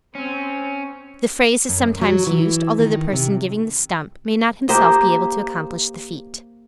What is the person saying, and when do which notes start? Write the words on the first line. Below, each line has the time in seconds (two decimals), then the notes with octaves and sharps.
The phrase is sometimes used, although the person giving the "stump" may not himself be able to accomplish the feat.
0.15 C4 C#4
1.69 F#2
2.01 F#3
2.27 E3
2.78 D#3
3.13 C3
4.69 A#3 G4 C5 D#5